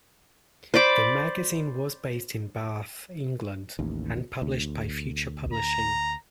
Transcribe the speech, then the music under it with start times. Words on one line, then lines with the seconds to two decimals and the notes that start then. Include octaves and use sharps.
The magazine was based in Bath, England and published by Future Publishing.
0.74 C5 D5 B5 D6
3.79 A1 D#2
4.42 D2
5.53 A#5